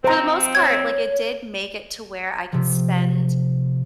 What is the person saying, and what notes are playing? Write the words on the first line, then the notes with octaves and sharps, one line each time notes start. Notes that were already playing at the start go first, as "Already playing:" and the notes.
for the most part, like, it did make it to where I could spend
F3 C4 C5 A#5
C#5 G#6
C3 F3